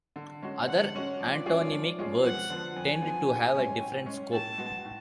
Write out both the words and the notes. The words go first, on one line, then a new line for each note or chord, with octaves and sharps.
Other antonymic words tend to have a different scope.
D3
G#3 C#4 F#4
D3 F#5
G#3 C#4 F#4
F3 D5
G#3 C#4 F4 G#4
F3
G#3 C#4 F4 G#4
F2 F#5
D3 F3 B3
F2 G#5
D3 F3 B3
A2
G#3 C#4
A2
G#3 C#4
A2 A5
G#3 B3 F#4
A2